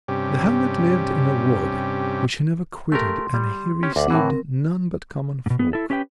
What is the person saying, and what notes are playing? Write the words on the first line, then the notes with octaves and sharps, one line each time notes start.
The hermit lived in a wood which he never quitted, and he received none but common folk.
G2 C3 C#4 G4
A3 G4 A#4 C6
G3
C#4 G4
D2 F#5 D6
A2 E3 C4 A#4
G#2 B2
B3
E4 A4
C#4 G4 B4 E5 G5